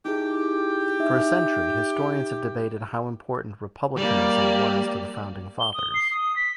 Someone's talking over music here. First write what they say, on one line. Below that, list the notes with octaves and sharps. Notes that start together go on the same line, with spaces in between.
For a century, historians have debated how important republicanism was to the Founding Fathers.
D#4 E4 G4 G#4
D#4 E5
G3 A#3 D5
G7
D#6
C7
D#6
B6